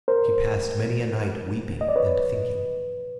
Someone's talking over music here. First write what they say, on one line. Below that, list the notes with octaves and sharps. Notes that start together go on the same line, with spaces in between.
She passed many a night weeping and thinking.
A#4 C5
D#5
D5
B4 C#5